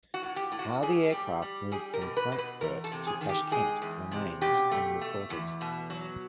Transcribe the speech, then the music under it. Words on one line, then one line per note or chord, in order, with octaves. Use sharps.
How the aircraft moved from Frankfurt to Tashkent remains unreported.
F#4
A2
G4
A2
F#4
G3 G#4
G3 G4
G3
G3 G#4
A#4
B2
B4
B2
B4
E2 A#4
A4
C3
G#4
D#3
G4
G#3 G#4
E2
C3
B2 G4
A3
A3
E2
B2
F#3